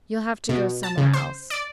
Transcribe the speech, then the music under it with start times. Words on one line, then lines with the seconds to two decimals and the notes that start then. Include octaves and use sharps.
"You'll have to go somewhere else."
0.49 B2
0.83 A5
0.98 C#3
1.13 C5
1.50 D5